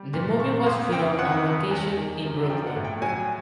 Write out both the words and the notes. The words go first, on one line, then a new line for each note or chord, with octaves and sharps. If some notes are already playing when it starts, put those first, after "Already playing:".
The movie was filmed on location in Brooklyn.
Already playing: G3
A#2
D3 C#6
F2 C6
C#3 G5
F2 F#5
C#3
E2
D#3
F#2
F3 G5
F#5
A2
G5
F#3 G#5